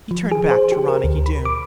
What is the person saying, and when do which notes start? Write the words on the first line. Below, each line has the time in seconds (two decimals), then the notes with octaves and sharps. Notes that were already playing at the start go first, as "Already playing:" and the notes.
He turned back to Ronicky Doone.
0.11 F3
0.32 G#4
0.51 C5
0.72 G4
0.88 A#4
1.04 D2
1.26 B5
1.45 D6